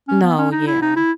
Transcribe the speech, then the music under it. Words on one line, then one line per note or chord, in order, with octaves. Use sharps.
No, yeah.
C#4
B3
C#4
D#4
E4
D#4
E4